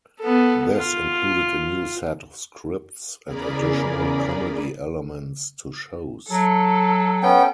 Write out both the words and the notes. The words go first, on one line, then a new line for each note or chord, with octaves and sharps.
This included a new set of scripts and additional comedy elements to shows.
B3 A4
F4
E2 C#3 G#4 A#4 D5 B5
F#3 A4
B3 C#4 G5